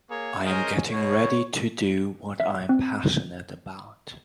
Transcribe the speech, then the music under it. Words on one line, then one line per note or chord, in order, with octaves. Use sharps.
I am getting ready to do what I am passionate about.
A#3 G#4 C#5
G#3 C#4 A#4 C5 D#5
B2 C#5
E5
C4